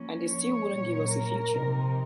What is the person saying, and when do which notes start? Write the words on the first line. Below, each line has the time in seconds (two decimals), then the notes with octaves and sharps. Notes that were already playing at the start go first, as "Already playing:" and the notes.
And they still wouldn't give us a feature.
Already playing: F3 A#3 C#4
0.28 C#5
0.69 A#2 F#3 C#4
1.11 A#4
1.52 C3 F3 C4 D#4